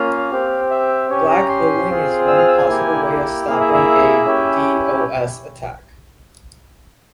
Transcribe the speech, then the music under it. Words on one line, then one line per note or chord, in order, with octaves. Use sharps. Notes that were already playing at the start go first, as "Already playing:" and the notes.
Black holing is one possible way of stopping a DoS attack.
Already playing: A#3 C#4 F4 F5
C4 G4
E5
C#4 G4 C#5
A#5
C6
C4 F4 G#4
E6
F6
E6
G#5
A#3 E4 G4
A#3 E4 G#4 F5
E5
E5
C#4 E4 G4